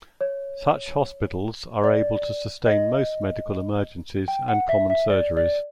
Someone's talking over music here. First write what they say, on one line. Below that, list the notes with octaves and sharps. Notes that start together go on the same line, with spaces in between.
Such hospitals are able to sustain most medical emergencies and common surgeries.
C#5
D5
D#5
G5
F#5
E5
E5
D5
D5